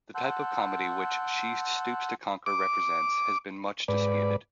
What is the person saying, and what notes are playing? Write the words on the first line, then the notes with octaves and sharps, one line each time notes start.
The type of comedy which "She Stoops to Conquer" represents has been much disputed.
F#5 A5 C6 E6 F#6 G6
D6
G#2 B4 D5